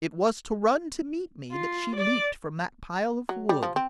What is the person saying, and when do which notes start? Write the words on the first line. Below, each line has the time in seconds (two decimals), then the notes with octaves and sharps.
"It was to run to meet me that she leaped from that pile of wood."
1.52 F4
1.96 D5
3.29 F#3
3.49 G3
3.63 F3
3.76 C4